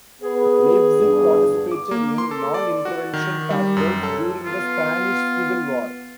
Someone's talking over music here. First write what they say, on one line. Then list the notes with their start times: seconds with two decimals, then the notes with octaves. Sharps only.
"Leipzig" participated in non-intervention patrols during the Spanish Civil War.
0.22 B3 G#4 B4
0.98 E2 G2 D4
1.72 D6
1.91 A#3
2.18 C6
2.31 A4
2.54 D5
2.85 F#4
3.13 D#3
3.50 G3
3.77 F#2
4.03 A4
4.46 B3 F4